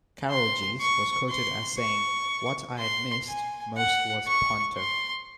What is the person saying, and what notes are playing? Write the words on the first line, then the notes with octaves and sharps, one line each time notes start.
Carolgees was quoted as saying "What I had missed most was panto".
C6
C#6
C6
C#6
C6
G#5
F#5
C#6
C6